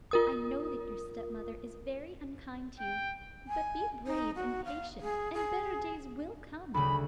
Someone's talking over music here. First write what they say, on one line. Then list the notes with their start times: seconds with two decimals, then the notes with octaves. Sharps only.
I know that your stepmother is very unkind to you, but be brave and patient, and better days will come.
0.11 F4 A#4 D#6
2.80 G5
3.48 G#5
4.07 D#4
4.36 F#4
4.65 F5
5.01 G#4
5.34 G#4
6.74 D2 C#3 B5